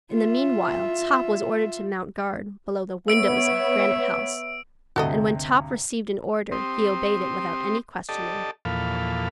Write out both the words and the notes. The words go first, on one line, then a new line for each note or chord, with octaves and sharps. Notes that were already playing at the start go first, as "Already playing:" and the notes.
In the meanwhile Top was ordered to mount guard below the windows of Granite House, and when Top received an order he obeyed it without any questioning.
F4 E5
B3 C#5 E5 E6 D7
D2 G2 C3 F#4 A4 D#5
C4 G4 C6 D#6
G4 A4 D5 D#5 A5
E2 A#2 F3 A4 F5 B5